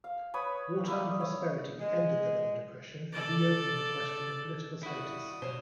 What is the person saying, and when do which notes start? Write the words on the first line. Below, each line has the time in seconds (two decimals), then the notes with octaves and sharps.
Wartime prosperity ended the long depression and reopened the question of political status.
0.04 F5
0.34 B4 C#5 B5 D#6
0.85 A#3 E4 D#6
1.20 C#5
1.80 G#3
3.12 A4 D5
4.83 D#2 G3 E4 F#4 D#6
5.42 B2 C5 C#5